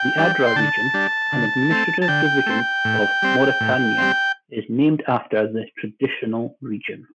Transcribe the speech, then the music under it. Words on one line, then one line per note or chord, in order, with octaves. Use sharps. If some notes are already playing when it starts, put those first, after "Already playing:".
The Adrar Region, an administrative division of Mauritania, is named after the traditional region.
Already playing: G5
G3 D4
C6
D3 A5
G3 D4
D3
A3 C4
A5
D3 G5
A3 C4
A2
G3 C4
A2
G3 C4